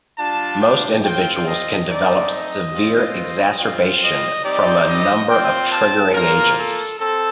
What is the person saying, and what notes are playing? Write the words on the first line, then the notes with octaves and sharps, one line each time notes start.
Most individuals can develop severe exacerbation from a number of triggering agents.
G3 D4 F4 A5
G5
C4 F4 G5
D#5
A3 C4 D#4 D5
D#5
C4 F4
C4 F4
D#5
G3 C4 D#4 G4 D5
D#5
C4 F4 G5
A5
A#3 F4 A#4
A4
C4 A4